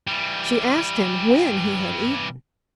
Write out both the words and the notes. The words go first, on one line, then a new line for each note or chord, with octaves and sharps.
She asked him when he had eaten.
E3 G3